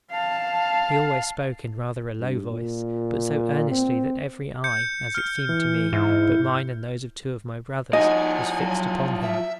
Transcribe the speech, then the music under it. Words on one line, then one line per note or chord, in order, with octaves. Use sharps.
He always spoke in rather a low voice, but so earnestly that every eye, as it seemed to me, but mine and those of two of my brothers, was fixed upon him.
F5 A5
G2
A#2
C4
G6 C#7
F6 C#7
E3
G#2 E4
F3 D#4 F#4 D#5 G#5
F#3
E5